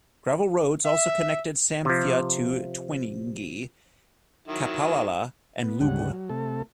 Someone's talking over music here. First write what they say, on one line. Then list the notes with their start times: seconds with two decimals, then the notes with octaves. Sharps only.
Gravel roads also connect Samfya to Twingi, Kapalala, and Lubwe.
0.85 E5
1.85 C3 F3
4.48 D#3 F#3 E4
5.63 B3
5.81 D2 G#2 C#3 G3 F#5
6.13 F#3
6.29 C3 A3 A4